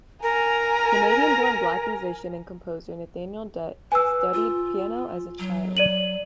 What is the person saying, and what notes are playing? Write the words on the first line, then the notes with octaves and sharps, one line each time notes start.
Canadian-born Black musician and composer Nathaniel Dett studied piano as a child.
A#4 G#5 A#5
B4 G#5 E6
F4
F#3
D5 D#7 F#7